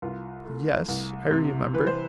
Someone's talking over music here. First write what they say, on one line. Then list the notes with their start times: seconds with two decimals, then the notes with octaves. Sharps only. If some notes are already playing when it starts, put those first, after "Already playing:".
"Yes, I remember."
0.02 C2 F4
0.45 A3
0.89 C2
1.31 C3
1.73 E3 B4
1.87 C5